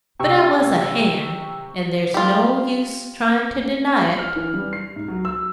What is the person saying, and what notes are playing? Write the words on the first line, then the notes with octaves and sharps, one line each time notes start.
But I was a hand, and there's no use trying to deny it.
C3 G5 C#6 E6
F4 G4
F#7
F6
E3
G3
C7
G#2
F#3
E6